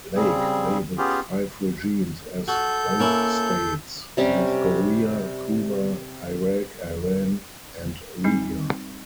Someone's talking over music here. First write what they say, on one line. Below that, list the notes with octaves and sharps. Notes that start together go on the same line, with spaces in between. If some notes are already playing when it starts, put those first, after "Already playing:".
Lake labeled five regimes as "rogue states": North Korea, Cuba, Iraq, Iran and Libya.
C#3 G3 C4 G#4
B3 C#4 F4 G4 G#4
F#4 A4 G6
A#3 C#4 E4
C3 G3 C#4
G3 C4 D#4